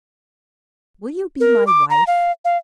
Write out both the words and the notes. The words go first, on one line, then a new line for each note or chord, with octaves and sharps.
Will you be my wife?
A#4
D6
A#5
F5
F5